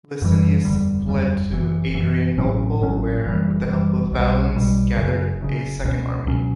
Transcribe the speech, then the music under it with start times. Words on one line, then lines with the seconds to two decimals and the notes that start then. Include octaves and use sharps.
Licinius fled to Adrianople where, with the help of Valens, gathered a second army.
0.22 F#2 E3 G3
0.65 F#1 E2 D3 G3
1.09 F#1 E2 D3 G3
1.51 F#1 F#2 E3
1.95 F#1 F#2 E3
2.38 A1 A2 F#3 C#4
2.81 A1 A2 F#3 C#4
3.24 F#1 F#2 E3 G3
3.67 F#1 F#2 E3 G3
4.11 B1 B2 G3
4.55 B1 B2 G3
4.96 F#1 F#2 C#3
5.41 F#1 F#2 C#3
5.83 C#2 B2 F#3 C#4
6.26 C#2 B2 F#3 C#4